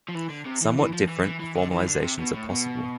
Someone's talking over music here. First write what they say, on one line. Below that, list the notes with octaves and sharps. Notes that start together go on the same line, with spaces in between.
Somewhat different formalizations are possible.
F3
E3
D3
C3
E3
E3
F3
E3
E3
E3
D3
E3
D3
C3
B2
A2
B2